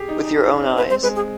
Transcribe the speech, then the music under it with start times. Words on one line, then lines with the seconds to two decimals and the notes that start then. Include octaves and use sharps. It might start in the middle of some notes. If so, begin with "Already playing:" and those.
With your own eyes?
Already playing: G4 G#4
0.08 D#4
0.25 D#4
0.43 D4
0.60 C4
0.77 C4 B4
0.90 C5
1.03 G#3 B4
1.16 G#4